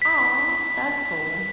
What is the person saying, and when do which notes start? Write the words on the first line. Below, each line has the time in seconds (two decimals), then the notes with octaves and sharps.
Aw, that's cool.
0.02 B6